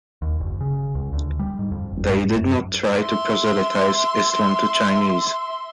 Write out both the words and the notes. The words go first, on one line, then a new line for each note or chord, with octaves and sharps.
They did not try to proselytize Islam to Chinese.
D#2
F#1
C#3
C#2
D2
G3
G#2
F2
G1
G#2
F#2
E5 C6